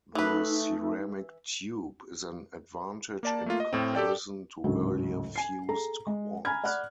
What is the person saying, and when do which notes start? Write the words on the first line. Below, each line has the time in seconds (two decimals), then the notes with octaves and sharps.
The ceramic tube is an advantage in comparison to earlier fused quartz.
0.15 E3 A3 D#4 B4
3.23 A#3 D5 A5
3.46 A3 A#3 F4
3.60 D#5
3.73 A2 C4
3.95 G4 A4 D5 G5
4.64 G#1 D2 A2 C#3 F#3
5.36 G#5 C7
5.69 G#4 A4 A#5
6.07 G#3
6.45 G#5 A#5 B5 F6 G#6
6.64 D5 F#5 B5 F6 F#6